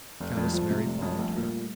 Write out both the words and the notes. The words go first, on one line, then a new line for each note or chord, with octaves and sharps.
Countess Mary followed her.
F1 A3
F2 G#3
G3 A3
F3
C3
F1
F2
G#3
A#1 G3 A3
A#2